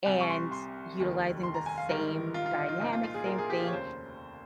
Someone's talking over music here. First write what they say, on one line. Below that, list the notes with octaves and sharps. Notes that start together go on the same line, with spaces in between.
and utilizing the same dynamic, same thing,
C2 C3 G3 G#5
C#6
C6
C6
F1 D#2 D#3 G3
C6
A#5
G#5
F5
A#1 G#2 D#3 G3 A#4
F4
F4
D#4
F4
C2 A#2 F3 D#4
F4
F4
G#4
A#4
G#4
G4
F4
C#5
F1 D#2 C#3 C5